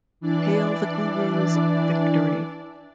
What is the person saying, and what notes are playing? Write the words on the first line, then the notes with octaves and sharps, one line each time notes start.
Hail the Guru's victory!
E3 D4 D5